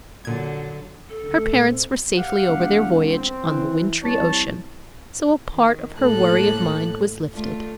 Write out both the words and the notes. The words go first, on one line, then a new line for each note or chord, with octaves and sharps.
Her parents were safely over their voyage on the wintry ocean, so a part of her worry of mind was lifted.
A#2 D3 F#3 G#6
A4
C#2 D3
A3
A#2 C#3
C4
G4 F5 F#5
E1
C4
E3
C2 D4 C#5 A5
D#3
A2 A#3 A4 F#6
A3 D4 F4